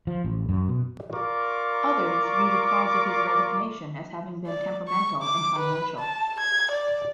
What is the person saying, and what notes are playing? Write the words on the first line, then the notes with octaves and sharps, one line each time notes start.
Others view the cause of his resignation as having been temperamental and financial.
F3
A1
F#2
B2
F4 A#4 D5 C#6 D6
D5
C#6
D6
B4
A5
G#6
D5